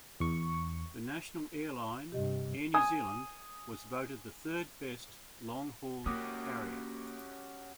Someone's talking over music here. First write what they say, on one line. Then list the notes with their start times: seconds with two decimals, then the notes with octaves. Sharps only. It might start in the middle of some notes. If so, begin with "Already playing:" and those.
The national airline, Air New Zealand, was voted third-best long-haul carrier.
0.20 E2 C#6
2.12 G2 C3 G4 D#5
2.74 G#5 D#6
6.06 A#3 C#4 F#4 G4 D6 D#6